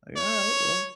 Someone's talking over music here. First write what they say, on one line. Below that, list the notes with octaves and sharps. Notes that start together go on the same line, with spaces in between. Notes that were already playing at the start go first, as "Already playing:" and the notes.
like, "Alright, well"
C#5